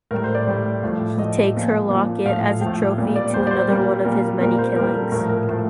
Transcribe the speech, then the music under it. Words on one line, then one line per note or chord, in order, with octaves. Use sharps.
He takes her locket as a trophy to another one of his many killings.
A2 G3 A#4
C5
D5
A2 G3
A2 F3
A2 F3 D#5
A#2 F3
A#2 F3
A2 F3 F5
A2 F3 G5
A#2 G3
D5
A#2 G3 C5
D5
C5
A#2 G3 A#4
A#2 G3 A#4
A#2 G3 A#4
C5
A#2 G3 A#4
A4
A2 F3 A#4
A#4
A2 F3